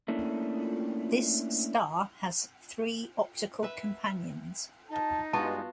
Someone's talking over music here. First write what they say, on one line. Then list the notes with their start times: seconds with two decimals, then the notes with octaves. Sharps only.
This star has three optical companions.
0.08 A3 A#3 C#4 D4 E4
3.63 B4 E5
4.89 D#4 A5
5.33 G2 G#3 B3 F4 F#4 A5